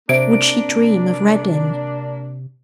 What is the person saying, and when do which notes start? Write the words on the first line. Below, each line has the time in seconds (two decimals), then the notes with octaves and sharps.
Would she dream of Reddin?
0.09 C3 A#3 D4 C5 E5 D7